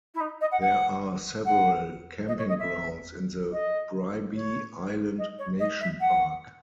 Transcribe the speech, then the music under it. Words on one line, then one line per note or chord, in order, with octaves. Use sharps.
There are several camping grounds in the Bribie Island Nation Park.
E4
D#4
D#5
F#5
F#5
F#5
D#5
C#5
D#5
E5
D#5
C#5
D#5
C#5
D#5
E5
F#5